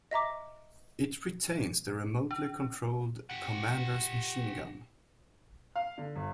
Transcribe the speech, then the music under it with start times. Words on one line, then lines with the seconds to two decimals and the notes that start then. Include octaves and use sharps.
It retains the remotely controlled commander's machine gun.
0.11 D#5 E5 A#5 D6
2.31 D4
3.30 G4 F#5
5.76 F5
5.98 D3
6.16 G1